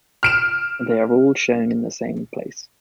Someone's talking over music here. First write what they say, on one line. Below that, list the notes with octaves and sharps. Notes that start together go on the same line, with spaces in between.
They are all shown in the same place.
F6 D7 E7